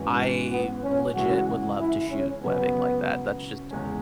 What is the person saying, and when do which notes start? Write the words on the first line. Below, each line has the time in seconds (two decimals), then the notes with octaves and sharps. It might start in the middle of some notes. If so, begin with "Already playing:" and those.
I legit would love to shoot webbing like that, that's just
Already playing: G#2 E3 C#4 F#4 B4
0.52 B3
0.84 C#4
1.15 C#3 E3 G#3 E4 F#4
1.79 E4
2.11 C#4
2.44 C#3 F#3 B3 C#4
3.71 E2 C#3 G#3 C#4